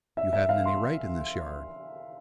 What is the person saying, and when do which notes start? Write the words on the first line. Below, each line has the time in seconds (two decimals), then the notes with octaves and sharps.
"You haven't any right in this yard."
0.17 E5
0.33 E5
0.49 F5
0.66 C6